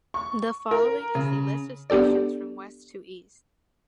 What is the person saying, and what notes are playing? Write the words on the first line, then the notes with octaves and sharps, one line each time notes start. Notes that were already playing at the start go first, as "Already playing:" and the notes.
The following is the list of stations from west to east.
C#6
A#4
C#3
B3 D4 G4 A4 D5